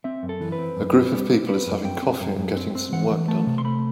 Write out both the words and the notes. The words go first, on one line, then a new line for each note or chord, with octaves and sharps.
A group of people is having coffee and getting some work done.
C4 E5
F#2
A4
E3
B4
C4
F#2
C4
G3
C4
C4 B4
F#2
C4 G5
C4
F#2
F#2
C4
C4
E3 F#5
E3
A3 A5
C3
C6
A3 B5